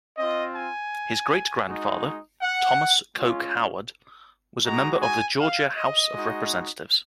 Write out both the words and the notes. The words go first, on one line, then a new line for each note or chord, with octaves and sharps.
His great-grandfather, Thomas Coke Howard, was a member of the Georgia House of Representatives.
C4 F4 D#5
G#5
G#3 D#4 F#4
F#5
G#3 C#4 F4
G#3 D#4 F#4 A#5
G#5
F5
D#5
G#3 D#4 F#4